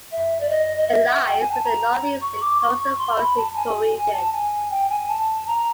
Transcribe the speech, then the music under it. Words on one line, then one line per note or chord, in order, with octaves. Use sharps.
It lies within the Northeastern coastal forests ecoregion.
E5
D5
D#5
D#5
E5
F#5
G5
G#5
A5
A#5
C#6
D6
C#6
C#6
C6
B5
A5
G#5
G#5
A5
G#5
G5
G#5
A5
A#5